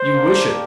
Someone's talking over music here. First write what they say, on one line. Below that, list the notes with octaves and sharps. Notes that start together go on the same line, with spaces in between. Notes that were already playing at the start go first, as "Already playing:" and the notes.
You wish it.
Already playing: C5
A#3 D4 G4